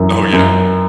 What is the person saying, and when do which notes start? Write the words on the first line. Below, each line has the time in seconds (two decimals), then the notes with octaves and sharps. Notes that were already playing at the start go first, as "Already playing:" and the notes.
Oh, yeah.
Already playing: F#2 E3
0.33 F#2